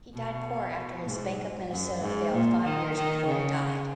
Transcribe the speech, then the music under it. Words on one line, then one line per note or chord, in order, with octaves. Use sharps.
He died poor after his Bank of Minnesota failed five years before he died.
B2
G#2
F#2
G#2
A#2
D#3
D#3
C#3